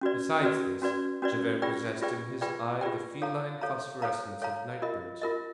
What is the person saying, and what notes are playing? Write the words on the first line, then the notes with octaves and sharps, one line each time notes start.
Besides this, Javert possessed in his eye the feline phosphorescence of night birds.
C#4 F#4 B4 D5
C#4 F#4 B4 D5
C#4 F#4 B4 D5
C#4 F#4 B4 D5
F4 G#4 B4 D5 G5
F4 G#4 B4 D5 G5
F4 G#4 B4 D5 G5
F4 G#4 B4 D5 G5
A4 C#5 F5 A#5
A4 C#5 F5 A#5
A4 C#5 F5 A#5
A4 C#5 F5 A#5
F4 A#4 D#5
F4 A#4 D#5